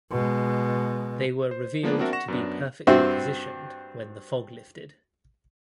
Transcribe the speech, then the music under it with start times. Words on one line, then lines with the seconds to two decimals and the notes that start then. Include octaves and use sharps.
They were revealed to be perfectly positioned when the fog lifted.
0.11 B2 G#3
1.51 C5
1.83 F3 G#3 A#3 B3 D4
1.99 C4 D4 F#4 A#4 D5 E5
2.13 F#5 C#6 A#6 E7
2.28 F#2 B3 D4
2.87 G2 C4 F#4 E5